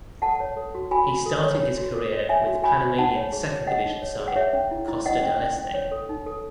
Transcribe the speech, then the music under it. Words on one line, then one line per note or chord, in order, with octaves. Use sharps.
He started his career with Panamanian second division side Costa del Este.
A4 F#5 A5
C#5
A4
F#4
F#4 G#5 B5
F#4
A4
C#5
C#5
F#4
A4
C#5
C#5 E5 G#5
F#4
F#4 G#5 B5
F#4
D#4 F#5 A5
C#5
G#4
C#5
G#4 D#5 F#5
D#4
C#5
G#4
F#5
G#4 C#5 E5
C#4
E4
E4
E4 D#5 F#5
C#4
C#4
C#4
C#5
A4
D#4
A4